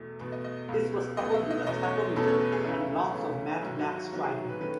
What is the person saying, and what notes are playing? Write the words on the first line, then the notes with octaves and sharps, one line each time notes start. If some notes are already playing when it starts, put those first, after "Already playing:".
This was coupled with a tachometer and lots of matte black striping.
Already playing: E2 B2 A3
E2 B2 A3
D#5
D#5
C#2 B2 A3
C#2 B2 A3 D#5
E5
D#5
E2 B2 A3 C#4 D#5
C#5
E2 B2 A3 C#4 A4
C#5
B4
G#4
C#2 C#3 E3 A3 C#4 E4
C#2 C#3 E3 A3 C#4
G#2 D#3 F#3 E4
F#4
F#4
G#2 D#3 F#3 F#4
G#4
B4
D#3 A3 C#4 B4